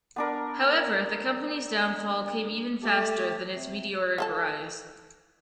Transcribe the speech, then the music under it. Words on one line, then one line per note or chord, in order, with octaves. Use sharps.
However, the company's downfall came even faster than its meteoric rise.
B3 D4 A#4
A3 G4 A5
C3
F4 A4 A5